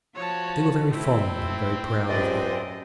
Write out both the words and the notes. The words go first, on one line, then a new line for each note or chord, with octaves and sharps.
They were very fond and very proud of her.
F3 F#4 C#5 A5
A3 C4 E4
C#2 F#2 C3 D5 D#5